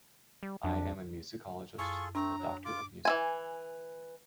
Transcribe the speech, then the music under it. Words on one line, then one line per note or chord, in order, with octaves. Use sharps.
I am a musicologist, a doctor of music.
G3
F2 D4
F#2 F4 G#4 A4 C#6
A3 C4 D4 A#5
F#3
F4 D6
E3 E4 G#5